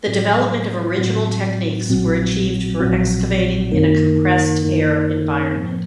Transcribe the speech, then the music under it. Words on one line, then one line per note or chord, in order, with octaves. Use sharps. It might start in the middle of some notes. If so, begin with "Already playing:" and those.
The development of original techniques were achieved for excavating in a compressed air environment.
A2 F#3 C4 F#4
A2 F#3 C4 F#4
A#1 A#2 F#3 C4 F#4
A#1 A#2 F#3 C4 F#4
F#2 D#3 A#3 D#4 A#4
F#2 D#3 A#3 D#4 A#4
A2 F3 A#3